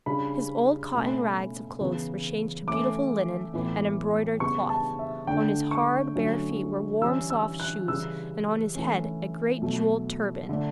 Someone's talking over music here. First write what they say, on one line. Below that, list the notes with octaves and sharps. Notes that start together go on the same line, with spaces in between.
His old cotton rags of clothes were changed to beautiful linen and embroidered cloth; on his hard, bare feet were warm, soft shoes, and on his head a great jewelled turban.
C#3 G3 D4 B5
B2 A3 C#4
C#3 E3 B3
E3 A3 C#4 D6
A2 E3 B3
C#3 G3 B3 C#6
A5
E5
D3 A3 D4 G5
C#6
D3 F#3 A3 C#4
E3 G3 C#4 E6
E6
F#6
C#3 E3 G3 E6
E3 A3 C#4
B2 F#3 A3
D3 A3 D4